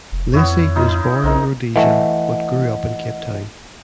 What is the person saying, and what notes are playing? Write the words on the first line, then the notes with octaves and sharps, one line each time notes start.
Lacey was born in Rhodesia but grew up in Cape Town.
F1
F2 B3 E4 C#5
D#4 E4
B1 C4 D#4 A#4
E3 A3 D#5 F#5